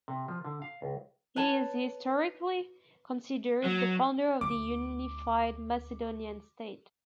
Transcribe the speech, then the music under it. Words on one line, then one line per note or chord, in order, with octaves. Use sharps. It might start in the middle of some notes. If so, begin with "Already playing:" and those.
He is historically considered the founder of the unified Macedonian state.
C3
F3
D3
F5
C#2
B4 C#5 A5
F#3
D2 A3 D6